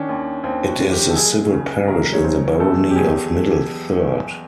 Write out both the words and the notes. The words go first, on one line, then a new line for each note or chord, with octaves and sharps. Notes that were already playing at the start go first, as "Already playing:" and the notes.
It is a civil parish in the barony of Middle Third.
Already playing: D#3 C#4 D4
D#2
D#2 C4
F#4
D#2
G4
A4
F#1 G#4
C#3
F#1 A#4
C#5
F#1 C5
E2 A4
G4
E2 G#4